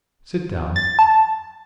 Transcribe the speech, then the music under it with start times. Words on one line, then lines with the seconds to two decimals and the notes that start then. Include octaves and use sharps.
Sit down.
0.76 A6
0.99 A5